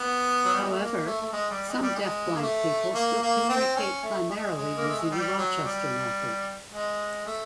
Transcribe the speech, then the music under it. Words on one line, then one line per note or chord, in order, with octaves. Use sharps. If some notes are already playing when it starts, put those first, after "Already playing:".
However, some deafblind people still communicate primarily using the Rochester Method.
Already playing: B3
F#3
G3
G#3
A3
A#3
A3
A3
G#3
G3
G#3
G3
G#3
A#3
A3
A#3
A#3
C4
C#4
A3
G#3
G#3
A#3
A3
G#3
G3
F#3
G3
G#3
A3